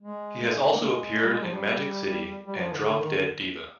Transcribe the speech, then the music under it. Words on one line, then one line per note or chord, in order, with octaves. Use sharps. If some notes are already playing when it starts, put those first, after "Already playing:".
He has also appeared in "Magic City" and "Drop Dead Diva".
G#3
G#3
A#3
G#3
G3
G#3
F3
G3
G3
F3
D3
D3
D#3
D3